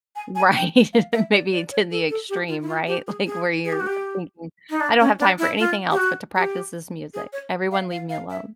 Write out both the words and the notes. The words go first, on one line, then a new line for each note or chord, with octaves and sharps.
Right, maybe to the extreme, right? Like, where you're thinking, I don't have time for anything else but to practice this music. Everyone leave me alone.
G#5
G#5
G5
F5
E5
D5
D5
C#5
A4
A4
G4
F4
E4
F4
G4
G#4
G#4
G#4
G4
F#4
G4
D#4
D4
C#4
D4
E4
F4
G4
F#4
G4
G#4
C#5
F5
F5
F5
E5